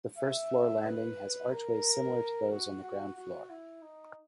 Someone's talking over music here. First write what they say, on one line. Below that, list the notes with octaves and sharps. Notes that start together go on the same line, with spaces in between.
The first floor landing has archways similar to those on the ground floor.
E5
B4
A#4
F#4
F#4
F#4
E4
D#4